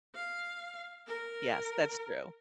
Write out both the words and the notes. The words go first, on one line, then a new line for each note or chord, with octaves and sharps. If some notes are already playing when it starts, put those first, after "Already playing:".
Yes, that's true.
F5
A#4